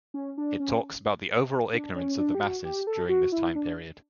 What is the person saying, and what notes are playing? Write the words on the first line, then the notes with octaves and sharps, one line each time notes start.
It talks about the overall ignorance of the masses during this time period.
C#4
D4
C#4
D4
C#4
D4
G4
F#4
G4
A4
F#4
E4
D4